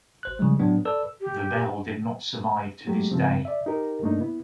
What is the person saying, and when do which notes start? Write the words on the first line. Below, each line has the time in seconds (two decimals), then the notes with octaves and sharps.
The bell did not survive to this day.
0.23 G#1 C5 F#6
0.39 C#3 F3 G3 G#3
0.59 A2 F#3 B3 D4
0.85 A4 B4 D5 E6
1.21 G4
2.87 F#3 G#3 A3 B3 G4
3.12 G#2 C#3 F3 C4
3.45 D5 E5
3.66 D#4 G4 A#4
4.02 G2 A3 A#3 D4 D#4
4.20 B3 E4